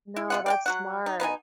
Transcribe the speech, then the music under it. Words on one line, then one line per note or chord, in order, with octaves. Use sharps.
No, that's smart.
E4
C3 F4 F#5
D5 F5 G5
F#3 F#4 F#5
D#4
B2 D#4 E4 G#5